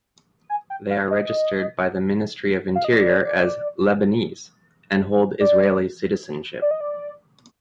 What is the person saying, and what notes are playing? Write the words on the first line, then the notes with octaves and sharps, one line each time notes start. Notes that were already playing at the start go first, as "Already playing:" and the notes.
They are registered by the Ministry of Interior as "Lebanese" and hold Israeli citizenship.
G#5
G5
F5
D#5
F5
D#5
D5
D5
D5
D#5
D5